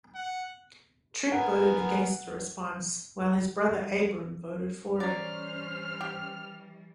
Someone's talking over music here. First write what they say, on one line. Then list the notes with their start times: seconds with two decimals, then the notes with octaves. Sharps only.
Trigg voted against the response, while his brother Abram voted for it.
0.15 F#5
1.32 B3 A#4 F#5 G#5
3.68 G3
5.00 E3 G3 C#4 A#4 C5 D5 F6
6.01 G4